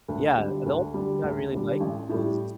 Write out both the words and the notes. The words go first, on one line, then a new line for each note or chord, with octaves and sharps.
Yeah, the only thing I really like is
D2
D3 G3
D2
D3 G3
D2
D3 G3
A1
A2 G3